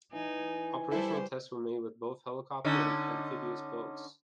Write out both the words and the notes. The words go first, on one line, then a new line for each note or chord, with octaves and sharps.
Operational tests were made with both helicopter and amphibious boats.
E3 D#4 G#5
G3 E4 A4 C5
D3 C#4 D#4